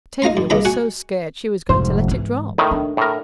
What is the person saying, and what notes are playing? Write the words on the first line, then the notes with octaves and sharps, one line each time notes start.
"Tavia was so scared she was going to let it drop."
D#4 F4 A#5 C6
F#2
C2 C#3 D#5 A#5 B5
F#4 F#5 G#5
F1 G#2 C5
G#2 E3
A2 D#3
D4
A2 A#4